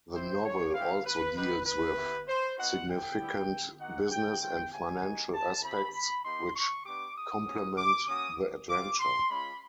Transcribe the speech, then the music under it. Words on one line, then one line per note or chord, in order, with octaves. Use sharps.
The novel also deals with significant business and financial aspects which complement the adventure.
C4 E4 G4 C5
C#5
C4 E4 G4 F5
B4
B3 D#4 G4 B4
B4
B3 E4 G4
C5
B3 D#4 F#4 F#5
G5
G3 B3 E4 G4
A#3 D#4 F#4 F#5
G5
A3 C#4 F4 G5
G#5
A#3 D#4 F#4
A5
C4 E4 G4 B5
B5
A#3 D#4 G4 C6
C#6
B3 D4 G4 D6
D#6
A#3 C#4 F#4
D6
A#3 C#4 F#4 D#6
C4 F4 D6
C6
G#3 C#4 F4 B5